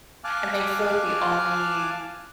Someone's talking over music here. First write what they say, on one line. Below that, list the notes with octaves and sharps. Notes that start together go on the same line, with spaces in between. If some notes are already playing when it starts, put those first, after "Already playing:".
and they feel like the only
F5 G#5 A5 D6 F6 F#6